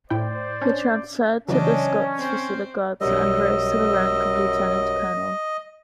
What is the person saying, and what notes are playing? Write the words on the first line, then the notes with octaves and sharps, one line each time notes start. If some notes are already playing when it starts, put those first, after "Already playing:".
He transferred to the Scots Fusilier Guards and rose to the rank of Lieutenant-Colonel.
A2 E4 C5 D5 G5
C#4 D4
C#3 E3 F#3 C#4 D4 D#5
C4 C5
B1 F#2 G3 D#5 E6